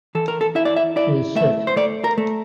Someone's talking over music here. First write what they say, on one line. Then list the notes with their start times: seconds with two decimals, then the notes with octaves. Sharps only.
She is sick.
0.15 E3 A4
0.28 A#4
0.41 A4
0.55 E4 E5
0.65 D5
0.76 E5
0.96 E4 D5
1.36 A3 E5
1.67 C5
1.76 A3 D5
2.04 A#4
2.18 A3